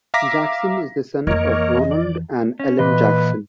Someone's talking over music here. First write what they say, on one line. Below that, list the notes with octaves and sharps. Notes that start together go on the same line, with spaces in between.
Jackson is the son of Ronald and Ellen Jackson.
E5 F5 A#5 D6 A#6 B6
F2 E3 A#3 A#4 C#5 D#5
D5
C#4
A#2 E3 B4 D#5